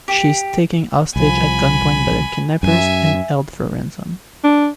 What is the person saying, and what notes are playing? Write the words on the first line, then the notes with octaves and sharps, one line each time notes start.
She is taken hostage at gunpoint by the kidnappers, and held for ransom.
G4
C2 F3 G#5 B5
F#2 E5 G#5
D4